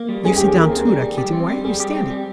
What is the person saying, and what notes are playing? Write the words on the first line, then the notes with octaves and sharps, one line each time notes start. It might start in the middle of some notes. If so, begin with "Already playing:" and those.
You sit down, too, Rakitin; why are you standing?
Already playing: A#3
G3
C#4 G#4
D#3 G4
G#4
A#3 A#4
C4 G#4
G3
G3
G4
C4
G3
G3 G#4
G4
C4
G3